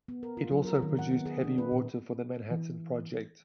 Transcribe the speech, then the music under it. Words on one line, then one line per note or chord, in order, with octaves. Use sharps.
It also produced heavy water for the Manhattan Project.
B3
A#4
F4
F#3
A#4
D#3
F#5
B3
G#4
D4
B4
A#2
E3